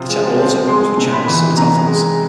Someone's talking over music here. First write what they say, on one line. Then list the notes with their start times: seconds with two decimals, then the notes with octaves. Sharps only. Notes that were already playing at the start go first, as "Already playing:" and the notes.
The channel also comes with Chinese subtitles.
Already playing: C3 F3
0.09 G#3
0.39 C4
0.68 G#3 C6
0.97 C3
1.13 B5
1.28 E3
1.57 C3 A#5
1.87 G#3